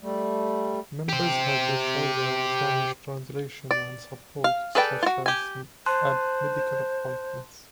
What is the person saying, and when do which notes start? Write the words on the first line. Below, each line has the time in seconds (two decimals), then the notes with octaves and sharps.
Members helped each other with language translation and support such as at medical appointments.
0.02 G3 A3
1.09 G4 C5
3.71 D5
4.44 F5
4.75 G#4 A4 B4 D5 G5
5.03 F4 F#4
5.26 G4 G#5
5.86 C5 A5 C6 F#6